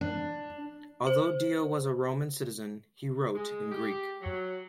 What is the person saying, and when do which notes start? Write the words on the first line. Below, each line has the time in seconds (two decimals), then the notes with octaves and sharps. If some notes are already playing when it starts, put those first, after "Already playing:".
Although Dio was a Roman citizen, he wrote in Greek.
0.01 D4
1.07 C5
3.34 G#3
3.70 G4
4.21 F#3